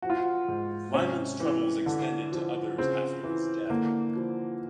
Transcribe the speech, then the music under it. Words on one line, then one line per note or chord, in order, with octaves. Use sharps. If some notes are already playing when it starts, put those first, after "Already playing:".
Lymon's troubles extended to others after his death.
F3 F#4
F4
F#4
G#2
C3 C#4
E3
D3
F3
C#3 C4
E3
D3 A#3
F3